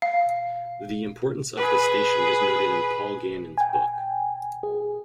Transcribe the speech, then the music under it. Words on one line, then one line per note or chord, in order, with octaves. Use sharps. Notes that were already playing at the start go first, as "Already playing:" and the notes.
The importance of the station is noted in Paul Gannon's book.
F5
G#4 B4
G5 G#5
G#4